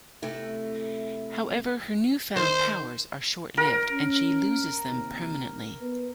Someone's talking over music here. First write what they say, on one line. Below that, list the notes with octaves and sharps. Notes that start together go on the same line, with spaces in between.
However, her new-found powers are short-lived, and she loses them permanently.
C3 A3 E4
D#3 C5
A#1 A#4
C#4
D#2 C3
B3 B4